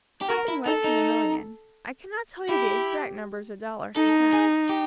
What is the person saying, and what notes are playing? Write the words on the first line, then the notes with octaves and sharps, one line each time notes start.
"Something less than a million; I cannot tell you the exact number of dollars and cents."
G4
F#4 A#4
E4
D#4 A4
D#4
E4 G4
D#4 A4
G#4
G4